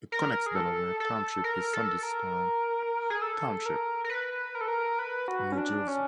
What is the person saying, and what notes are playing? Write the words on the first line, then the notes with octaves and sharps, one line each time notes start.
It connects Delaware Township with Sandyston Township, New Jersey.
A#4
G#4
A4
A4
A#4
A4
A#4
G#4
A4
A#4
A#4
B4
A#4
A4
A#4
B4
F#4
C#4
D4
C#4